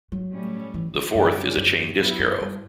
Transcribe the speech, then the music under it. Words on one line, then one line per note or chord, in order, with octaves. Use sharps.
The fourth is a chain disk harrow.
F#3
A2 G3 C#4
E3
D3
F#2 D3 G3 C#4 G4 D5
F#2
E2 F#3 B3 E4
F#2
G2